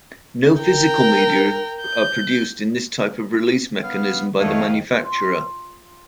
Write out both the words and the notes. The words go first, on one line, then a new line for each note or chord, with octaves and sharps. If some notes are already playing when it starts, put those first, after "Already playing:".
No physical media are produced in this type of release mechanism by the manufacturer.
A#4 G5
G6
B3 F5
F2 D#3 A3 C#5 D#5 F5
F4